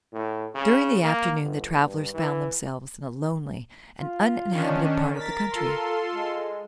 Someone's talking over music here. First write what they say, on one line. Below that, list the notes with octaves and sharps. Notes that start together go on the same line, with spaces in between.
During the afternoon the travelers found themselves in a lonely and uninhabited part of the country.
A2
C#3
A#3
G1
G2
E3
F4
D#3 C#4 D4
A#4 A6 B6
F4 A4 C6
G#3